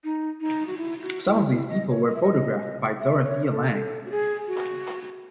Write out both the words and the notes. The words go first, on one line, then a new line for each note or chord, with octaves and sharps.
Some of these people were photographed by Dorothea Lange.
D#4
D#4
F#4
E4
F#4
E4
E4
D#5
C#5
D#5
E5
D#5
E5
C#5
A4
A4
F#4
G#4
F#4